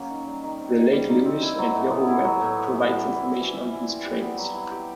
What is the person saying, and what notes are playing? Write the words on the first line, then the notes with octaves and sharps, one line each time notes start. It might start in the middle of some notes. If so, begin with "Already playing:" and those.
The Lake Louise and Yoho Map provides information on these trails.
Already playing: C#3 F#3 A#3 C#4
D#3
G3
D#3
C4
D#3
G3
D#3
C4
E4
F#3
A2
B3
E4
F#3
A2
B3
E3
G3
E3
C4
E3
G3
E3
C4
G4
B3
F#3
E4
G4